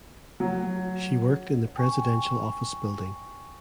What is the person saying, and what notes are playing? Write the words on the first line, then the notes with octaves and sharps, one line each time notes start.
She worked in the Presidential Office Building.
F#3
G5 G#5 C#6